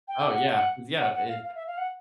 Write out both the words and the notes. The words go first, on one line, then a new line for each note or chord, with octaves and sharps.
Oh, yeah, is yeah, i
G5
F#5
F#5
F#5
F#5
F5
F5
E5
F5
F#5